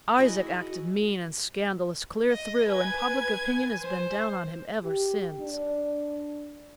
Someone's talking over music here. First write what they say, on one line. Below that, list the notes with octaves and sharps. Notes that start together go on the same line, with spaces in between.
Isaac acted mean and scandalous clear through, and public opinion has been down on him ever since.
D#3 E4 F#4 G#4 D#5
D#5
B4 G#5 G#6
C5
G4
D4